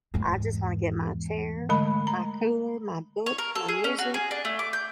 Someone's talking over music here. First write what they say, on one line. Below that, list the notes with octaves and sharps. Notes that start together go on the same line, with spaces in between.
I just wanna get my chair, my cooler, my book, my music,
E2 G#2
D3 G#3 A3 B5
A#5
C#5
A#4
A4
G#4
C#4
F#4
G#4
D4
A3
D6
G6